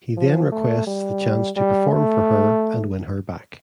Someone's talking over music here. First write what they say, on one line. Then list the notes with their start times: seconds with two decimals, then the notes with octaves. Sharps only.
He then requests the chance to perform for her and win her back.
0.17 F3
0.52 A3
0.87 G3
1.57 G3
1.91 A3